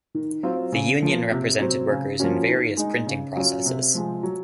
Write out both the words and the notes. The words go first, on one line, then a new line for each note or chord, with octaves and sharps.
The union represented workers in various printing processes.
D#3
F#3 C4 F4
C#3
F3 A#3
C3
F#3 C4
C#3
F3 A#3 C#4 F#4
D#3
G#3 D#4
C#3
F#3 C#4 F4
C3
F3 G#3
F#3